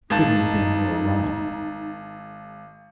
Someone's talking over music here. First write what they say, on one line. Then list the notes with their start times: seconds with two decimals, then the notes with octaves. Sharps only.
He couldn't have been more wrong.
0.10 G#1 D#4 A5